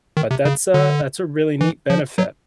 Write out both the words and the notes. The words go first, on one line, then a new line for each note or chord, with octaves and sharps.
But that's a that's a really neat benefit.
D#3
C3
C#3
D3
E3
F3
F#3